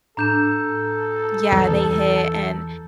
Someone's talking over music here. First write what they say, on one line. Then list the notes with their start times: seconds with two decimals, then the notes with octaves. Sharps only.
Yeah, they hit and, uh,
0.17 A2 D4 A4 A#5 G6 E7
1.52 E2 E3 G3